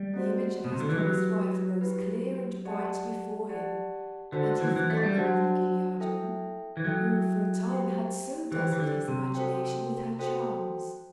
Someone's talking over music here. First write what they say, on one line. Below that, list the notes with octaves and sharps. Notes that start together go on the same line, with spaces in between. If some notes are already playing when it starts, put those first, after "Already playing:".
The image of his promised wife arose clear and bright before him, and he forgot the lovely Guilliadun, who, for a time, had so dazzled his imagination with her charms.
Already playing: G3
A3 C4 F#4 C5
B2
C3
D3
E3
F#3 E4 G4 B4
E4 G4 B4
G4 D5 F#5 A5
G4 D5 F#5 A5
D3 D4 F#4 C5 F#5 A5
E3
F#3
E3
A3
G3
F#3 D4 F#4 C5 F#5 A5
E4 A4 E5 G5
E3
F#3 E4 A4 E5 G5
G4 C5 G5
E3 G4 C5 G5
E3
D3
C3
F#4 A4 C5 G5
F#4 A4 C5 G5